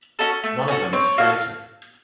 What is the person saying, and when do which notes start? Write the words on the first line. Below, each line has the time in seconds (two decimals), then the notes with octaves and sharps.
One of them is Fraser.
0.19 C#4 F#4 A4
0.44 A3
0.68 C#4 F#4 A4
0.93 C4 C#5
1.18 F#4 A4 F5
1.33 F5